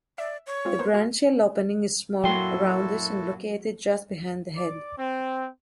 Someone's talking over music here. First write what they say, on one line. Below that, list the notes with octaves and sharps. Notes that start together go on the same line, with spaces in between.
The branchial opening is small, roundish and located just behind the head.
D5 E5
C#5
G#3 C4 F4
A#3 B3 C5
F#4 F6
F#2 A#2 F#3 E4 F#4 A4 G5 C6
D5 D6
C4